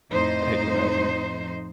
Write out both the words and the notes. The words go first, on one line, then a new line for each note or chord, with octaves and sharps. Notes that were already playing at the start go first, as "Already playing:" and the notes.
I'd hate to imagine
F2 A2 D#4 C5